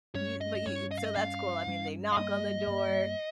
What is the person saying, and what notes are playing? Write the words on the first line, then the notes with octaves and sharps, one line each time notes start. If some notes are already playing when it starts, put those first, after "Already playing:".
you but you so, that's cool, I mean they knock on the door
G2 G3 C#4 C#5
D#5
D#5
G2 G3 C#4 C#5
D#5
F5
D#5
G2 G3 C#4 F5
G2 G3 C#4
F5
G2 G3 A#3 D#5
G2 G3 A#3